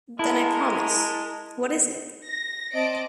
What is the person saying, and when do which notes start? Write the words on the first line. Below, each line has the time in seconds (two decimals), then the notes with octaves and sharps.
Then I promise; what is it?
0.19 G#3 E4 A#4 A5
2.26 A#6
2.73 C4 D5 D#5 A5 D7